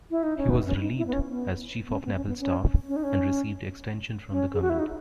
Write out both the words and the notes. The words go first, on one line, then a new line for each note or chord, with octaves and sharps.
He was relieved as Chief of Naval Staff, and received extension from the government.
E4
D#4
C#4
B3
C#4
D#4
E4
B3
C#4
B3
B3
C#4
B3
C#4
B3
C#4
C#4
D#4
C#4
C#4
G#4
F#4
E4
D#4